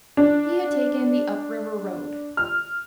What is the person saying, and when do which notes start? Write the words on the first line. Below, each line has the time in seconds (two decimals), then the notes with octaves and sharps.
He had taken the up-river road.
0.17 D4
2.37 F6